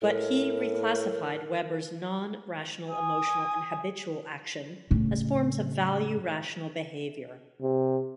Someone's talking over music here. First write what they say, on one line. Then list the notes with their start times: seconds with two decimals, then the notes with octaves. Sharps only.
But he reclassified Weber's non-rational emotional and habitual action as forms of value-rational behavior.
0.02 A2 A#4
2.90 G#5 D#6
4.91 A2 C#3
7.62 C3